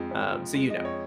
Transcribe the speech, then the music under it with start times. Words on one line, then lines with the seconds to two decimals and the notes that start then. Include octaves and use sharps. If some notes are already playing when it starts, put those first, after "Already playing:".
Um, so you know.
Already playing: F2 F3 G#3
0.11 F2
0.34 F3
0.55 G#3
0.70 D#5
0.78 F2
0.85 C#5